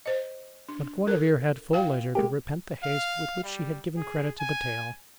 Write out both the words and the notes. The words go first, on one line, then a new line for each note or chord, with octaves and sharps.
But Guenever had full leisure to repent the haste with which she had given credit to the tale.
C5 D#5
D4
F4 A4 A#4
F4 F5 G5
G#3 A#3 G4
F5
G3
G#4
G#5